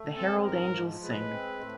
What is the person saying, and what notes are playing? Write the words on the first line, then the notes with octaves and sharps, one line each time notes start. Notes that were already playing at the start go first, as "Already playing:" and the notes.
The Herald Angels Sing.
Already playing: A3
C4 A4
G#2 A#4
F3
G#3 B4
C4
A2